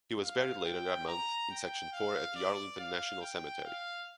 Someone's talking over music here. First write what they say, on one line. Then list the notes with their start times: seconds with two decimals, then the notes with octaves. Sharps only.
He was buried later that month in section four at Arlington National Cemetery.
0.22 F5
0.64 G5
1.07 A#5
1.50 G5
1.92 F5
2.35 D5
2.79 F5
3.21 G5
3.64 F5